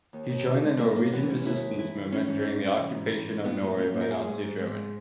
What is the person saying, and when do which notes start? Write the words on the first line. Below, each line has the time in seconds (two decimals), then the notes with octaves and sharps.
He joined the Norwegian resistance movement during the occupation of Norway by Nazi Germany.
0.13 D#2
0.30 D#2
0.46 D#3 B3
0.63 G#3
0.79 F#2 A#3
0.91 G#3
0.96 F#2 A#3
1.12 E3 B3
1.29 G#3 C#4
1.45 D#2 E4
1.62 G#3
1.79 E3 E4
1.95 E3
2.12 E3 C#4
2.28 G#2
2.45 G#2
2.62 G#2
2.78 E3
2.95 G#2
3.11 E3
3.28 G#3
3.44 A#2 B3
3.61 A#2
3.77 A#2 C#4
3.94 A#2
4.01 A#4
4.11 G#2 G#4
4.27 G#2
4.43 G#2
4.60 G#2
4.76 G#3